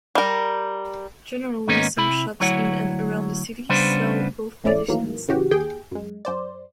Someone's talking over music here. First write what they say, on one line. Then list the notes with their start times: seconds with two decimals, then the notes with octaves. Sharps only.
Generally some shops in and around the city sell both editions.
0.15 G3 A#4
1.67 G#2 D#3 A#3 B3 C#4 D#4
1.97 C3 E4 B5
2.40 D2 F#3 E4 C#5 F#5
3.69 C#3 G3 B3 C#4 D4 C5
4.64 E2 G#2 A3 C#4 E4 D5
4.88 D#2 A2 D#3 E3 F#3 A#3
5.28 A1 C#3 E3 F#4 G4
5.51 D#2 G4 G#4 G5
5.91 F#2 G#3
6.25 F#2 C5 D5